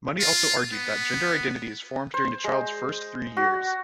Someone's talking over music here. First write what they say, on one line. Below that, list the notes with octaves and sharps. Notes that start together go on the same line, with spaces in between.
Money also argued that gender identity is formed during a child's first three years.
F4
B3
C5
G#3
F#4